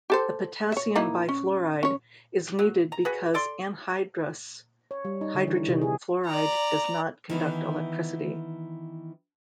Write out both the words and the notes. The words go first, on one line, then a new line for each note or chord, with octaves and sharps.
The potassium bifluoride is needed because anhydrous hydrogen fluoride does not conduct electricity.
G4 A4 C5
C#5 E5
A#3 D#4 E4
C#4
C#4 C#5
F#3
A#5
F#4 G#4 B4
A4 D5 C6
C#5
G3
D#4
D3
E3
C3
G#4
D5 A#5
D#3 E3 B3